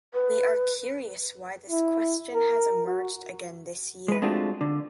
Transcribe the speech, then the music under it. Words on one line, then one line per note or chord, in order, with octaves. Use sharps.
We are curious why this question has emerged again this year.
B4
E4
A#4
F#4
G#3 B4
G#3 A3 C4 D4 F4 F#4
D3